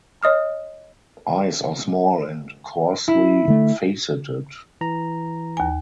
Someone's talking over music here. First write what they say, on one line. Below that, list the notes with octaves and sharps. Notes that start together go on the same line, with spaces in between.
Eyes are small and coarsely faceted.
C#5 D#5 D#6 F6
E4
D3 A3
E3 A#5
D#2 G#5